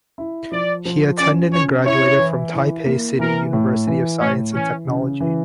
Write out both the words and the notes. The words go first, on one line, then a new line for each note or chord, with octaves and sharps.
He attended and graduated from Taipei City University of Science and Technology.
E4
F3 D5
F3
C#4 D5
C#4 C#5
E4 C#5
E3
E4
A#3
E3 A#4
A2
E3
A2 C#4
E3 C#4
C#3
E3